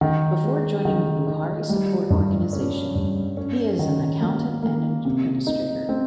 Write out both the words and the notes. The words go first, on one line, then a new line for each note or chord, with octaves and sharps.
Before joining the Buhari Support Organisation He is an accountant and an administrator.
D#3
G#3
D#3
D#4
G3
G2
C#4
G2
C#4
D#3
A#3
A#3
C3
D#4
C4